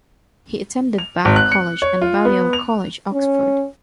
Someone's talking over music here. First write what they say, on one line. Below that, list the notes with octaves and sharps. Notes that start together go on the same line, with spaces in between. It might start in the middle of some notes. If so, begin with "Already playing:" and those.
He attended Bath College and Balliol College, Oxford.
F7
G#1
F#6
C#7
C#5
F4
B3
F7
C#4